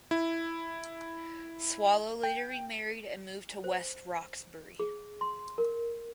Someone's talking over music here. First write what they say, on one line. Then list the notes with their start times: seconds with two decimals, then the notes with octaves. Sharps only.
Swallow later remarried and moved to West Roxbury.
0.11 E4
2.23 G5
3.64 C5
4.80 G#4
5.21 C6
5.58 A#4